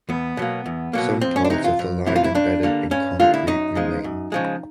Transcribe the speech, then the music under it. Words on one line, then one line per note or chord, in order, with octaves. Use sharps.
Some parts of the line embedded in concrete remain.
E2 B3
B2 F#3 A#3
E2
B2 F#3 A#3
F2 C4
C#4
D4
C3 E3 D#4
F4
F2
C3 E3 E4
F4
E4
G2 D4
D3 G3 A#3
G2 C#4
D3 G3 A#3 F4
E4
F#2 D#4
C#3 F3 G#3
F#2
C#3 F3 G#3